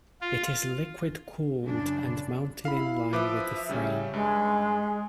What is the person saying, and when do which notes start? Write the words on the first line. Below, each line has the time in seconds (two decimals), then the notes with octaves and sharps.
It is liquid-cooled and mounted inline with the frame.
0.21 F4
1.66 F#2 C#3 D4
2.65 E4 F5 B5
3.13 F3 B4 E5 D6
3.69 C#3 G3 C#4
4.14 G2 G#3